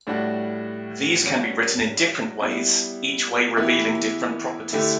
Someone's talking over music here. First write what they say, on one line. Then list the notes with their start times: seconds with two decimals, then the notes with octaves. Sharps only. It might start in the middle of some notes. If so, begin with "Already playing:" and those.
These can be written in different ways, each way revealing different properties.
0.07 A2 G3 D4 F#4
1.23 G3 C#4 F#4
2.39 G3 B3 E4
3.57 E3 B3 E4 G4
4.73 D3 A3 E4 G4